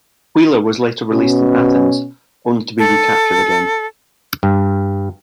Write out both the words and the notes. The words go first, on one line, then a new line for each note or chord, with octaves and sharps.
Wheeler was later released in Athens only to be recaptured again.
B2 C#4
A4
G2